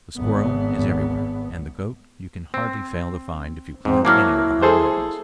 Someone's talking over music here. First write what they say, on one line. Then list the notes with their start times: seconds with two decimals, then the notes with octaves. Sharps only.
The squirrel is everywhere, and the goat you can hardly fail to find if you climb any of the high mountains.
0.17 G#1 B3
2.54 C4
3.85 G#2 C4
4.05 F#3 A#3 E4 A5 D6 F6
4.62 G#4 A4 C5